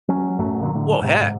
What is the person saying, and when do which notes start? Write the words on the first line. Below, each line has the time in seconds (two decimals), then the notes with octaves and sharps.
Well, heck.
0.08 F#3 C#4
0.38 A1 F#2 F#3 A3
0.61 A#2 D3 F#3
0.74 A2 D3
1.02 G#2 C3
1.21 G#2